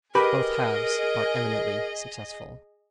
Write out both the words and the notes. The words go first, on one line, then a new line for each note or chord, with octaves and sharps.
Both halves are eminently successful.
G4 G#4 A#4 B4 D#5 B5